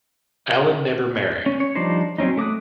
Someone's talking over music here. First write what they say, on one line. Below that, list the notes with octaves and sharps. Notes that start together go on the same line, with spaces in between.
Allen never married.
C#4
C#5
F3 G3 D4 D#4 C5
F#3 C4 C#4 D#4
A3 D6 D#6 F#6